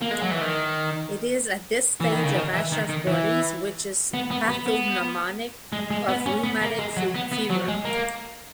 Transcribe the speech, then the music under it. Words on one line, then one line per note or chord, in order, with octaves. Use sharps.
It is at this stage of Aschoff bodies, which is pathognomonic of rheumatic fever.
A#3
G#3
F#3
E3
D#3
E3
D#3
C#3
D#3
E3
D#3
D#3
E3
B3
B3
B3
B3
G#3
G#3
B3
C#4
B3
A#3
G#3
F#3
B3
B3
F#3
G#3
A#3